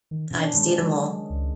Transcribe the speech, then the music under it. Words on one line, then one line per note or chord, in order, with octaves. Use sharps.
I've seen 'em all
D#3
B2 C#4 D4
D#3 G#3 C#4
C#3 F#3 G#3
C#2